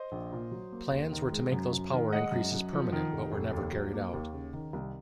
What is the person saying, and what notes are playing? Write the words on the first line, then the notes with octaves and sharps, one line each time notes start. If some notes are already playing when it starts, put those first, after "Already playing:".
Plans were to make those power increases permanent, but were never carried out.
Already playing: C5 D#5
A#1
A#2
F#3
A#3
D#2
D#3
G#3
F#2
F#2
D#3
G#3 D#5 F#5
F#2
F#2
F3
D#3
F1
F1
D#2
F#3
A#3
D#2
C#3
D#3
C2